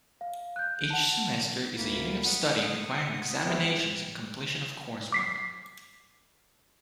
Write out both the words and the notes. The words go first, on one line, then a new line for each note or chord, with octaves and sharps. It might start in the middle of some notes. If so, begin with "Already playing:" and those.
Each semester is a unit of study requiring examinations and completion of coursework.
F5
F#6 G6
F#5 A5
D2 A#3 B5
F#5 D#6
E3 G3 G#3 B3 C4 E4
D6 B6 C7